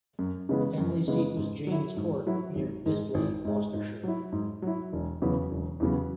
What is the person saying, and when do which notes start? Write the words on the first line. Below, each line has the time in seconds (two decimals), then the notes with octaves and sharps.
The family seat was Jaynes Court, near Bisley, Gloucestershire.
0.19 F#2
0.49 C#3 E3 G#3 B3
0.78 F#2
1.08 C#3 E3 G#3 B3
1.37 G#2
1.67 F#3 E4
1.97 G#2
2.27 F#3 E4
2.55 G#1
2.86 G#2 G#3
3.14 G#1
3.45 G#2 G#3
3.74 G#2
4.03 F#3 E4
4.32 G#2
4.62 F#3 E4
4.93 E1
5.22 E2 C#3 F#3 B3
5.51 E1
5.80 E2 C#3 F#3 B3